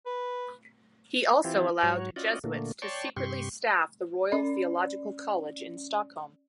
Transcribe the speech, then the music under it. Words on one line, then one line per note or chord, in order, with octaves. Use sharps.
He also allowed Jesuits to secretly staff the Royal Theological College in Stockholm.
B4
E3 C4 E4 F4 G4
G#2 F#3 F#4 C#5
C#4 F4 F#4 D5 D#5
A#2 D3 A3 A#3
C#5 D5 G5 A5 C6 C#6
G2 C3 G4 C6 C#6
C#4 D5